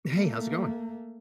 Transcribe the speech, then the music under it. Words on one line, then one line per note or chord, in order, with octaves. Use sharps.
Hey. How's it going?
A3 A#3